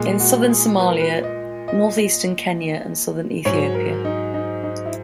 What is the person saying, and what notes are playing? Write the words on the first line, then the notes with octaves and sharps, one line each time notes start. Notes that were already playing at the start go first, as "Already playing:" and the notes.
In Southern Somalia, North Eastern Kenya and Southern Ethiopia.
Already playing: A#2 G#3
F#4
G#4
B4
A#4
B4
D#5
D#5
G#2 F#3 C#5
A#4
D#4
D#4
D#4
E4